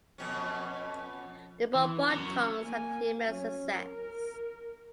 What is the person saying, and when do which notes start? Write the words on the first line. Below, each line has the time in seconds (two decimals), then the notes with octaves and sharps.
The bonbon tongs had an immense success.
0.18 F2 B2 C#4
1.75 E3
2.10 F#3 C#4
2.26 F#3
2.62 A#3 G#5
3.24 F#3 C#4
3.72 A#4